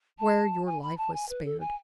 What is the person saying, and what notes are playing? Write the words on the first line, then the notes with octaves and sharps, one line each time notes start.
Where your life was spared!
A5
G#5
B5
A5
G#5
B4
A4
G#5